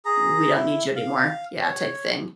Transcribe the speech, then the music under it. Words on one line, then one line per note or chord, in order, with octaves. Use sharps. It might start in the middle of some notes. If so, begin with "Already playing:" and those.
"We don't need you anymore," yeah, type thing.
G#4 A#5
E4
F5
C#5